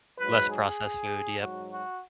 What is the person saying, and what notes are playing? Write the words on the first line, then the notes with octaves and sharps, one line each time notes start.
Less processed food. Yep.
G#2 F#3 B4
G#4
G#2 F#3 F#4
F#4